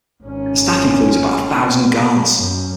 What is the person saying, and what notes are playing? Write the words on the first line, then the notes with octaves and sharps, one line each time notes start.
The staff includes about a thousand guards.
G#1 C#4
F#2